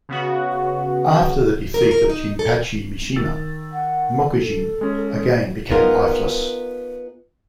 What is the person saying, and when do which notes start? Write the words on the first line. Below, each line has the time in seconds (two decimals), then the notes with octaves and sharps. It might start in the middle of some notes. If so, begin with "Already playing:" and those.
After the defeat of Jinpachi Mishima, Mokujin again became lifeless.
0.09 C#3 B3 F#4
1.74 A#4
1.91 A#4
2.10 D#4
2.39 A4
3.16 D#3 E6 A6
3.72 F#5
4.37 A4
4.81 G#3 C#4
5.71 B3 D#4 F4 G#4 A#4